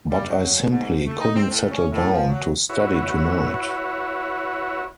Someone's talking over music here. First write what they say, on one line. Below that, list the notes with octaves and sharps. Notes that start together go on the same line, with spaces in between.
But I simply couldn’t settle down to study tonight.
G3
F#3
G#2
A3
D#4
C4
A2
C#4
A2
F3
F#3
E4 F#4 B4 C#5